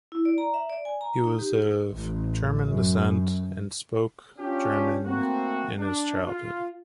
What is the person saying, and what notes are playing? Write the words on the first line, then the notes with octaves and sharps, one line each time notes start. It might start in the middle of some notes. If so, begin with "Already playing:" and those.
He was of German descent and spoke German in his childhood.
E4
D5
A#5
E5
D5
G#5
A#5
D#4
G4
A1
F#2
C#4 D4 F4 G4
A3 A#3 C4 F#4
D4
F4